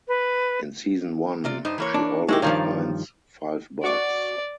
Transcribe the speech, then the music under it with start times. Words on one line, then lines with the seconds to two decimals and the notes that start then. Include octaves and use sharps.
In season one, she always finds "five bucks".
0.08 B4
1.44 C3 F4 D5
1.65 G2 D#4 C5
1.78 E3 A#3 C#5
1.94 D4
2.29 G#3 E4 F#4 G4
2.42 G2 D#3 F3 D#4 C#5 D5
3.84 F#4 D5 C#6 D6